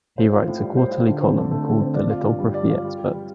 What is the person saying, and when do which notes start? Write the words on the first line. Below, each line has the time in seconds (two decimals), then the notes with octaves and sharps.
He writes a quarterly column called the Lithography Expert.
0.18 C5
0.32 F4
0.47 A2
0.62 G3
0.77 C5
0.92 F4
1.07 D3
1.21 C4
1.36 D3
1.51 A3
1.66 D3
1.80 C4
1.95 D5
2.10 F4
2.25 G2
2.40 G3
2.54 D5
2.69 F4
2.84 G3
2.99 G4
3.14 G3